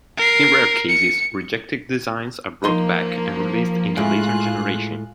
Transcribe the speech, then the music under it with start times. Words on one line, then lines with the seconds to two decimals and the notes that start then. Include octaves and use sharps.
In rare cases, rejected designs are brought back and released in a later generation.
0.17 A#4 C7
0.89 C#7
2.64 F3 A#3 D#4 C6
3.97 A2 G#3 F4 G#4 F#6